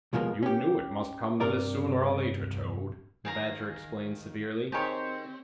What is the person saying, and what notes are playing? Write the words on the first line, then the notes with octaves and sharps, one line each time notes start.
'You knew it must come to this, sooner or later, Toad,' the Badger explained severely.
C2 B2 F3 G#3 A#3
C#4 G4
G2 C3 A#4 D5
D#3 G#4 F5 A#5
D#3 C4 G4 G#4 C5 C#5